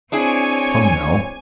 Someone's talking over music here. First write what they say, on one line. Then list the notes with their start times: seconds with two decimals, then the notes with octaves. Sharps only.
Come, now!
0.12 C4 D4 E4 G#4 C#5 G#5